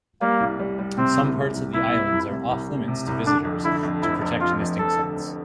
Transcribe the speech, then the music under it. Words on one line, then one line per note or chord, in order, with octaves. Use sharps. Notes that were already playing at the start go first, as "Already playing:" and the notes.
Some parts of the islands are off limits to visitors to protect nesting sites.
G3 A#3
C2
G3
G3
C3 C4
C2
C3
C2
C2 E4
C2
C2
C3
C2
G3
C3
C2
D3 D4
F2
D3 E4
F2
F1 E4
F1
F2 F4
F1
F1 A4
D3
F1